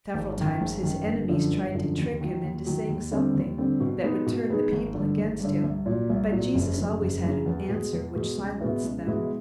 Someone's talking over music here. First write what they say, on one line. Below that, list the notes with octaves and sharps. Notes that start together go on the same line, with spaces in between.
Several times his enemies tried to trick him into saying something that would turn the people against him, but Jesus always had an answer which silenced them.
G#1
F#2 D#3
G#1
F#2 D#3
G1
F#2 D3 F3
G1
F#2 D3 F3
D#2
D#3 F#3
D#2
D#3 F#3
D#2
D3 G3 C4
D#2
D3 G3 C4
B2
G#3 B3 D#4 G#4
B2
G#3 B3 D#4 G#4
G#1
G2 D3
G#1
G2 D3
C2
A#2 F#3
C2
A#2 F#3
F#1
F#2 C#3
F#1
F#2 C#3
E2
B2 G#3
E2
B2 G#3
C#2
B2 G#3 B3 E4
C#2
B2 G#3 B3 E4